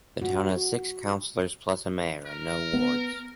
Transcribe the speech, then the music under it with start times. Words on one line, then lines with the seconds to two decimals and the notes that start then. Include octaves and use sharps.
The town has six councillors plus a mayor, and no wards.
0.22 F#4
2.26 A#4
2.73 B3